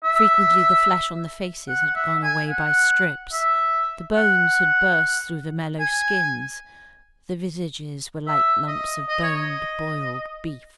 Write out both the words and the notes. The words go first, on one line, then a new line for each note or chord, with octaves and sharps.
Frequently, the flesh on the faces had gone away by strips, the bones had burst through the mellow skins, the visages were like lumps of boned, boiled beef.
E5
F#5
F#5
E5
G#5
F#5
E5
F#5
G#5
E5
D#5
D#5
C#5
D#5